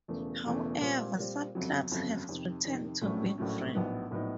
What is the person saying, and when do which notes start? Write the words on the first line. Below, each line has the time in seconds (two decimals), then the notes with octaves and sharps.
However, some clubs have returned to being free.
0.08 E1 E2 C#3 E3 A3
0.45 E1 E2 C#3 E3 A3
0.81 A#2 G3 C4
1.18 A#2 G3 C4
1.55 G1 F2 C#3 F#3
1.91 G1 F2 C#3 F#3
2.28 F2 C3 D#3
2.64 F2 C3 D#3
3.02 A#1 A2 F#3 A3 C#4
3.38 A#1 A2 F#3 A3 C#4
3.74 A#1 A2 F#3 B3 D#4
4.11 A#1 A2 F#3 B3 D#4